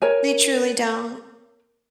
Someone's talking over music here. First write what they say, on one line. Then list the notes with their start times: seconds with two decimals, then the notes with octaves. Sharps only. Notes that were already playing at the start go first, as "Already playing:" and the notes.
They truly don't.
0.02 A#4 C#5 G#5